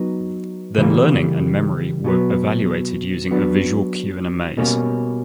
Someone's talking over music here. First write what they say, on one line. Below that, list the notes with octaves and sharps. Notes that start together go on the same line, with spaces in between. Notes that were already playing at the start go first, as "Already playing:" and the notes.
Then learning and memory were evaluated using a visual cue in a maze.
Already playing: F#3 B3 D#4
C#3 E3 G3 A#3
B2 F#3 B3
F#3 B3 D4
B2 G3 A#3 C#4